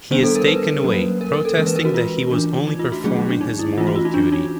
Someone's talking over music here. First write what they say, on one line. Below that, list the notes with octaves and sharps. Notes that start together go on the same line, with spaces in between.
He is taken away, protesting that he was only performing his moral duty.
D#3 G3 B3 D4 C5
A4
A#4
B4
F#3 A#3 C#4
A#4
A#4
A4
E3 G#3 C#4 A#4
B4
A#4
F#4
F4
E3 A3 D4
D#4
F4
F#4
D#3 F#3 A3 C#4 G#4
D4
D#4
E4
E3 A3 C#4 F4
F#4
F4
D#4
D4
D#4